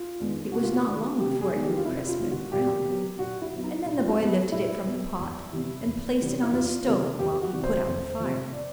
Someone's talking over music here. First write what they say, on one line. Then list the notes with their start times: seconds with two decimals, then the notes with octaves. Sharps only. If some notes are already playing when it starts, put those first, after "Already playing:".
It was not long before it grew crisp and brown, and then the boy lifted it from the pot and placed it on a stone, while he put out the fire.
Already playing: F4
0.19 D#3 G#3 B3 D4
0.52 C3 F#4
0.63 F4
0.74 F#4
0.85 D#3 G#3 B3 D4
1.19 C3 G4
1.41 G#4
1.53 D#3 G#3 B3 D4
1.63 G4
1.77 F4
1.86 C3 E4
2.09 F4
2.19 D#3 G#3 B3 D4
2.31 F#4
2.52 A#2 G4
2.86 F#3 B3
3.19 A#2 F#4
3.42 E4
3.53 F#3 B3
3.64 D#4
3.86 A#2 E4
3.98 F4
4.09 E4
4.20 F#3 B3
4.52 A#2 E4
4.86 F#3 B3
5.19 E2
5.53 C3 E3 G3 B3
5.86 E2
6.20 C3 E3 G3 B3
6.43 E4
6.52 E2 F4
6.86 C3 E3 G3 B3
7.19 E2 G4
7.42 F#4
7.53 C3 E3 G3 B3
7.63 C5
7.86 F2 C5
8.20 C3 F3
8.53 D5